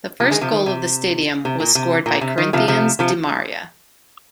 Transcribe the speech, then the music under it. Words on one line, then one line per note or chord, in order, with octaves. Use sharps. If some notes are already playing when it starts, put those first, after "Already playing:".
The first goal of the stadium was scored by Corinthians' De Maria.
C3 F3
D#3 G#3
C3 F3
D#3
C3
C3
A#2
C3
A#2
C3
D#3
C3 F3
C3 F3
C3 F3